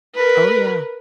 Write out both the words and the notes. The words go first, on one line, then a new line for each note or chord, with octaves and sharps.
Oh, yeah.
A#4 B4